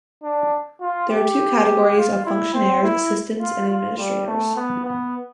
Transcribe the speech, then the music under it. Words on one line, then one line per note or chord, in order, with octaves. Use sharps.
There are two categories of fonctionnaires Assistants and Administrators.
D4
F4
G4
F4
E4
C4
E4
F4
F4
G3
A3
B3
B3